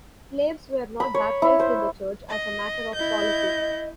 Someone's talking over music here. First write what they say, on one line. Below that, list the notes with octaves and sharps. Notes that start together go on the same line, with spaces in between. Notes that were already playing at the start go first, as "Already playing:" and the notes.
Slaves were not baptized in the church as a matter of policy.
B5
C#5
E4
C5
D#5
E4 D#5 G6